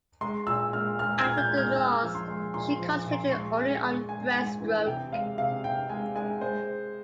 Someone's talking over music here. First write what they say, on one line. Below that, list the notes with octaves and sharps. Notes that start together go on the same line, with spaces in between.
After the loss, she concentrated only on breast stroke.
G#3 C6
A#2 E6
G#3 F6
G#3 F6
G#6
A#2
G6
G#3
F6
G#3 E6
F3
C6
G#3
A#2 C6
F3
A#2
C6
G#3 C#6
G#3
G#3
G#3 G#5
G#2
E3
C3 G5
G#3 F5
C3 F5
C3 G5
G#3 G#5
G#3 G#5
G#3 C5